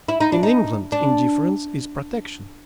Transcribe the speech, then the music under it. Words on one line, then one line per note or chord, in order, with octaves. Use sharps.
In England, indifference is protection.
E4
D#4
D4
D#4
D4